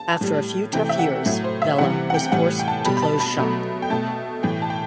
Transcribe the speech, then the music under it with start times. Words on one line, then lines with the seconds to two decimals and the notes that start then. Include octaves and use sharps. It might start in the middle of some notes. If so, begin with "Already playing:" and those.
After a few tough years, Vella was forced to close shop.
Already playing: A5
0.21 A2 G3
0.73 C3 E3 A3 G5
0.89 E5
0.99 F#5
1.26 A2 F#3 A3
1.44 C5
1.62 E5
1.78 C3 E3 G3 F#5
2.10 F#5
2.14 G5
2.32 A2 E3 G3 F#5
2.59 G5
2.68 A5
2.85 B2 G3 B5
2.97 B5
3.02 A5
3.20 B5
3.37 B2 F#3 A3
3.82 G5
3.90 B2 A3 A5
4.43 A2 E3 A3 G5
4.62 A5
4.70 G5